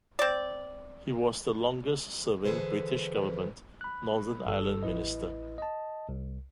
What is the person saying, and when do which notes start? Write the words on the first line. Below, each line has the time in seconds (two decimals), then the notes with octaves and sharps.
He was the longest serving British government Northern Ireland minister.
0.19 C4 D5
2.45 D3 E3 G#4 A4 B4 C5
3.81 B5 F#6
4.46 G1 G2 A4 E6
4.83 A1 E4 B4 D#5
5.58 D#5 A5
6.09 C2